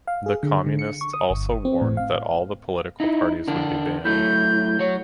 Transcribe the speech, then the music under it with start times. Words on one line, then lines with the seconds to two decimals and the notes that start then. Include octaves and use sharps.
The Communists also warned that all the political parties would be banned.
0.07 F5
0.26 G#4
0.43 D3
0.66 D3
0.79 C#7
1.01 C#6
1.13 D#6
1.30 G1
1.65 C4
1.81 A2
1.97 F5
3.00 D#4 E4
3.47 D3 D4 A#4
4.05 F#3 A3 E4 G6
4.79 F#3 C#5